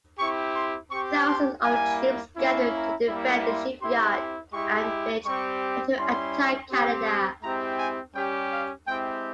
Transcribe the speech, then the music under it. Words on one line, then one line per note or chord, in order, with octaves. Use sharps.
Thousands of troops gathered to defend the shipyard and village, and to attack Canada.
C4 E4 G4 C#6
C6
C4 G4 C#6
C6
G3 A#3 E4 G#5
A#3 C#4 E4
A#5
G3 A#3 E4
C6
C4 E4 G4 C6
G#3 E4 G4 C#6
G3 C4 G4 C#6
G3 C#4 E4 C6
C4 G4
G#3 C4 E4 G4 A#5
G#5
G3 C#4 G4 G5
F5
G#3 C4 E4 G4 G5